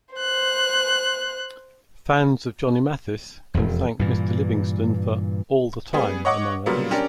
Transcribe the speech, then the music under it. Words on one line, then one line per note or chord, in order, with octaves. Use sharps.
Fans of Johnny Mathis can thank Mr. Livingston for All The Time among others.
C5 F#6
E1 F2
G2 A#2 E3
G3 B3 G#4
C#5 D#5 F#5 C#6 D6
A#2 C#3 F#3 G3 A#3 B3
C#4 D4 G4 A#4 D5